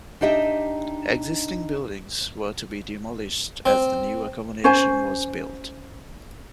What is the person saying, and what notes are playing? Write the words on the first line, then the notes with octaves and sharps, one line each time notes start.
Existing buildings were to be demolished as the new accommodation was built.
D4 D#4 G4 D#5 E5
C4
C#4 C5 G#5